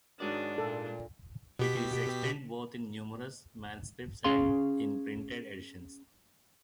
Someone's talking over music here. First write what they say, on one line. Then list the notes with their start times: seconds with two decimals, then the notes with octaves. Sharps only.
It is extant both in numerous manuscripts and in printed editions.
0.20 G#2 D#3 F#3 G#3 D4 F#4 D5
0.58 A#2 A4
1.59 B2 G4 B6
4.24 C#4 G#4 F5 C6